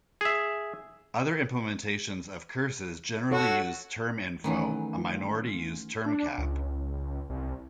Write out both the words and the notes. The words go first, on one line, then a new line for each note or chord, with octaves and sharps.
Other implementations of curses generally use terminfo; a minority use termcap.
G#4 E5
F#4 A4 C#5 F#5
D#3 E3 F#3 A3 C#4
F4
D4
C#2
C2